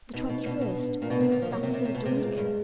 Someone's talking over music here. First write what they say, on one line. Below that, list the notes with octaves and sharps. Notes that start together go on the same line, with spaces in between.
'The twenty-first--that's Thursday week.
B2 D#4
B2
B2 D4
B2
A#2
B2 B3
C3
D3
F3 A#3
F#3
C3
C3
C3
B2
C3 G#3
A#2
G2